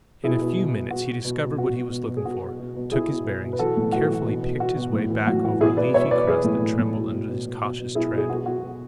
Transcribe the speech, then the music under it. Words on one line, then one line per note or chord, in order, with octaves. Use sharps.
In a few minutes he discovered what he was looking for; took his bearings; carefully picked his way back over a leafy crust that trembled under his cautious tread.
B2 E4 G#4
B2
B2
B2
B2 F#4
B2
B2
B2
B2 F#4
B2
B2
B2
G#4
B2 F#4
B2
B2
B2
B2 E4 G#4
B2
B2
B2
B4
E3 F#4 A4
A2
E3 F#4
E3
B2
B2
B2 F#4
B2
A2
E3
A2 F#4
E3 F#4
B2 E4 G#4
B2 B4 D5
B2 C#5 E5
B2 B4 D5
E3 G#4 B4
A2
A2
A2
B2
B2
B2
B2
B2
B2
B2 E4 G#4
B2
G#4
B2 F#4
B2 F#4
B2